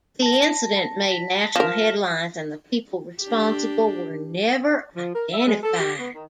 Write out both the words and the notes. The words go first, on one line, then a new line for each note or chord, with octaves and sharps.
The incident made national headlines and the people responsible were never identified.
A5 A#6
B6
F3 A#4 F6 A#6 E7
D4 G4
F3
A#4
E5
G#3
A4
G4
B3
D#3